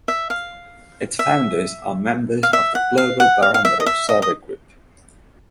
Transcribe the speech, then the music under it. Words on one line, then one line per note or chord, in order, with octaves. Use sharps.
Its founders are members of the Global Barometer Survey group.
E5
F5
E5
F5
E5
F#5
F5
F#5
F5
F5
E5
D#5
E5
D#5
D#5